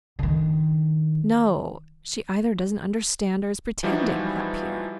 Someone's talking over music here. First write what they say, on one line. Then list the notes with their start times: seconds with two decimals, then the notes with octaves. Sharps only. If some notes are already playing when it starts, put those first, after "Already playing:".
"No, she either doesn't understand or is pretending," thought Pierre.
0.19 D3 D#3
3.83 E3 F3 G3 D#4 E4 F#4